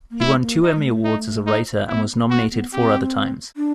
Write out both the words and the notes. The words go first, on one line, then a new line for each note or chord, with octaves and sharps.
He won two Emmy Awards as a writer and was nominated four other times.
A#3
A3 E4
A#3
D#4
G#3
A3
D#4
D#4
B3 E4
A#3 F#4
B3
C4 G4
D4